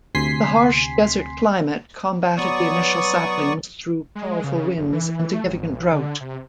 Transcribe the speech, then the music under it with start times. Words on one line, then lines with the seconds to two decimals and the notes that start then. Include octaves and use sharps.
The harsh desert climate combated the initial saplings through powerful winds and significant drought.
0.15 D2 C3 G#5 C6 B6 C7
2.37 F#3 B3 D5 C#6 D#6
4.15 G#3
4.44 C#3
4.77 F#1
4.93 E3
5.33 A3
5.46 G#1
5.75 B1
5.92 D3
6.20 C3